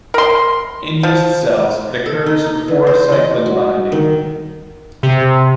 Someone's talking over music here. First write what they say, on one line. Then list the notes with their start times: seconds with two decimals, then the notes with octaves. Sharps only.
In yeast cells, it occurs before cyclin binding.
0.14 A#4 C6
1.03 F3
2.06 A4
2.26 D#4
2.46 D#4
2.68 E3
2.87 C5
3.12 D#5
3.46 F#4
3.92 D#3
5.03 C3